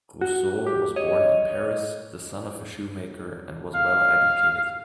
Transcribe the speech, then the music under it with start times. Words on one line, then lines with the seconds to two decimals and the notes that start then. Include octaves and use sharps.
Rousseau was born in Paris, the son of a shoemaker, and was well educated.
0.21 F#4
0.66 G4
0.96 C#5 D#5
3.75 F5